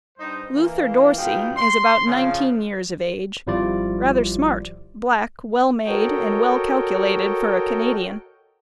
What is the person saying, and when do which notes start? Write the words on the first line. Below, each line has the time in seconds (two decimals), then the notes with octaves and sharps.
Luther Dorsey is about nineteen years of age, rather smart, black, well made and well calculated for a Canadian.
0.18 G2 D#4 C5
0.54 E3 A#3
1.17 G#2 B2 F4 G5
1.57 C6
2.06 C#3 F3
3.47 G#1 F3 G3 E4 F4 D5
5.86 F#4 A4 A#4 C#5 D#5 G5